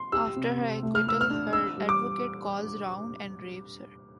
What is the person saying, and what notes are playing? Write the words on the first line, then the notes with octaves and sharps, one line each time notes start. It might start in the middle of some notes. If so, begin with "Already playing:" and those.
After her acquittal, her advocate calls round and rapes her.
Already playing: C6
G4 E6
C3
C3
A3
F6
A3 E6
F6
D4
D4 E6
G3
D6